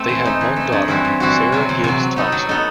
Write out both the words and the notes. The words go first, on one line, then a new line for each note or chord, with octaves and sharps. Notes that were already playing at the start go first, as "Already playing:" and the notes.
They had one daughter, Sarah Gibbs Thompson.
Already playing: A3 C4
E3
A3 D#4
E3
A3 D#4
G2
E3 G3 C4 F#4
G2
E3 G3 C4 F#4
E2
C3 F#3
E2
C3 F#3
F#3
B3 D#4 A4
F#3
B3 D#4 A4